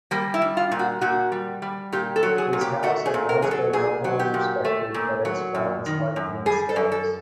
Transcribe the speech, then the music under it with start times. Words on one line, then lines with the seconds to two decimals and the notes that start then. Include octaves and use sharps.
His house had once been noble and respected, but has fallen slightly in status.
0.11 G3 A#3
0.34 E4
0.42 G3
0.57 F4
0.71 A#2
0.79 F#4
1.01 A#2 F#4
1.32 G3
1.62 G3
1.92 A#2 G4
2.16 A4
2.23 F#3
2.38 G#4
2.53 A#2
2.61 G4
2.83 A3 F#4
3.06 G#4
3.14 A#2
3.29 A#4
3.42 F#3 G#4
3.51 A4
3.73 A#2 G#4
4.04 F#3
4.19 G4
4.34 A#2
4.65 A3
4.94 A#2
5.25 F#3
5.55 F#2
5.86 D#3
6.16 F#2
6.46 G3 G#4
6.69 A4
6.76 F#2
6.92 A4